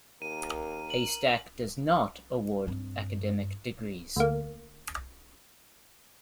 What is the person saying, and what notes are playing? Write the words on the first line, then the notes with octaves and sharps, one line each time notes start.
Haystack does not award academic degrees.
D#2 A#4 D#7
F#7
G2 C4
D2 A#3